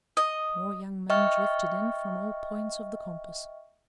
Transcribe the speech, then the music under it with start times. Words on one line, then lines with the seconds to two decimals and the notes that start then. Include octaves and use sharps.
More young men drifted in from all points of the compass.
0.17 D#5
1.10 D#5 E5 G5 C#6 F6